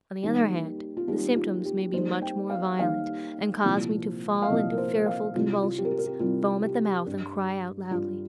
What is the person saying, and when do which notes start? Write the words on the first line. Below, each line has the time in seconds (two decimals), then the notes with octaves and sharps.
On the other hand, the symptoms may be much more violent, and cause me to fall into fearful convulsions, foam at the mouth, and cry out loudly.
0.23 D#2 D#3 G3 G4
0.97 F4
1.08 D#2 D#3 G3 G4
1.36 F4
1.65 G4
1.93 D#2 D#3 G3 C5
2.22 G5
2.50 F5
2.79 D#2 D#3 G3 F5
3.64 C2 A#2 F3
4.42 F5
4.50 C2 A#2 F3 D#5
4.72 A#4
4.78 C5
5.06 F5
5.34 C2 C3 G3 F4
5.63 F4
5.78 G4
5.85 A#4
5.91 G4
5.99 A#4
6.06 G4
6.20 C2 C3 G3 F4
6.64 G4
7.06 G2 G3
7.91 G2 G3 F4